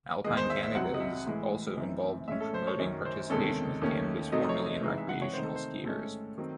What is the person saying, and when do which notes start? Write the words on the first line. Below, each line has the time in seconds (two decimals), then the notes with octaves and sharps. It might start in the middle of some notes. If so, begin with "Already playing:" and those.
Alpine Canada is also involved in promoting participation within Canada's four million recreational skiers.
0.24 E2 D#3 G#3 D#5
0.37 C5
0.50 E5
0.63 E5
0.75 C2 C3 F#3 F#5
0.94 D#5
1.00 E5
1.27 A2 E3 G#3
1.77 F#2 E3 C4 D#4
2.28 A2 G#3 C#4 E5
2.40 A4
2.54 C5
2.67 C#5
2.79 F#2 D#3 F#3 C#4
3.05 C5
3.30 E2 C3 D#3 G#3 C#4 A4
3.82 D#2 D#3 A3 C#4
4.32 C3 F#3 A3 C4 D#4 D#5
4.43 D#5
4.49 C#5
4.66 D#5
4.83 C3 E3 G#3 D#4
4.98 E5
5.09 F#5
5.22 C#5
5.33 C3 D#3 A3 D#4 C5
5.44 A4
5.55 C5
5.85 A2 G#3 C#4 A4
6.38 D#3 F#3 C4